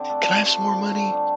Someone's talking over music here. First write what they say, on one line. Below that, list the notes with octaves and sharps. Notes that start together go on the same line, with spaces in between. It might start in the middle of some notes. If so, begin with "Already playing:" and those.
can I have some more money?"
Already playing: D3 C4 G4
A3 D4 A4
F3
A3 D4
F3
A3 D4
D3
G3 D4